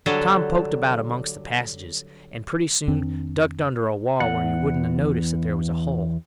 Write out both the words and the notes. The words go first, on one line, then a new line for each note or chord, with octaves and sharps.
Tom poked about amongst the passages, and pretty soon ducked under a wall where you wouldn't a noticed that there was a hole.
D3 F#3 G3 A4
F2 D#3 C4 D4
E2 F#5